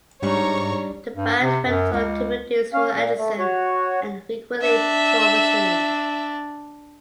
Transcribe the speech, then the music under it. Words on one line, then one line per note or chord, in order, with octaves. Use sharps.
The band went on to produce for Anderson and frequently tour with him.
G#2 G3 D4 D#4 C#5 A#5 C#6
G2
C3
F#2
C#2
C#4 F5
A#2
A3
F#4 C#5
D4 E5